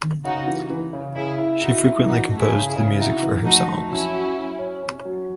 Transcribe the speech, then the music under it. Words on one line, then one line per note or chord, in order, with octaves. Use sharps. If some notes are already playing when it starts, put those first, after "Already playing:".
She frequently composed the music for her songs.
C#3 D#4 F#4
E3
E3
C#3
C#3 E4 G#4
E4
D#4 E4 F#4
E4
E3 D#4 F#4
A3
E4 G#4
C#3
E4 G#4
C#3
D#4 E4 F#4
E3
A3 D#4 F#4
A3
F#3 C#4 E4
F#4
F#3
C#4
C#4
F#3